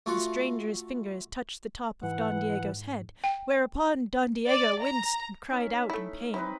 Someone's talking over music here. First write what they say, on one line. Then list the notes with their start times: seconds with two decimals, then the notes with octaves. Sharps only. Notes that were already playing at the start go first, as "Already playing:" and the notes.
The stranger's fingers touched the top of Don Diego's head, whereupon Don Diego winced and cried out in pain.
0.06 A3 F4 F#4
2.03 G#2 E3 F#5
3.24 G5
4.50 D5
4.85 A#5
5.50 C#4 D#4 E5
5.90 A3 E4
6.34 C4 D#4 E4 B4